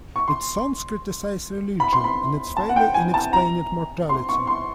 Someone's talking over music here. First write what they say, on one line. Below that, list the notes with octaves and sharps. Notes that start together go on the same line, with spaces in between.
Its songs criticise religion and its failure in explaining mortality.
C#6
C6
B5
C6
B5
A5
F#5
G5
G#5
A5
A#5
C6
C#6
C6